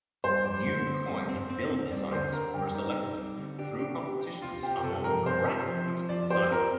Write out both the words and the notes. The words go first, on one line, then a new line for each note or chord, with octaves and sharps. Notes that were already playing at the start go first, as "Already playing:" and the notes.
New coin and bill designs were selected through competitions among graphic designers.
G2 C5
G3
D3
C4
G2
C4
C4
C4
G2 D5
D3 C5
D3 A#4
G3 G4
G2 D#4
C4
G3
D3
D4 G4
G4
G4
G4
C3 F4
C4 G4
C3 A4
F3 A#4
C3 C5
C3
F3
F3
F3 D5
G4 C5
C4 A#4